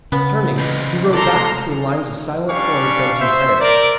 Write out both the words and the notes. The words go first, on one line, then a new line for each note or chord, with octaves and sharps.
Turning, he rode back between lines of silent forms bent in prayer.
C#3 B3
C3 E3 D#5
A4 D5 A#5 C6
G3 C#4 D4 G4 F5 C#6
C5 E5
A#4 D5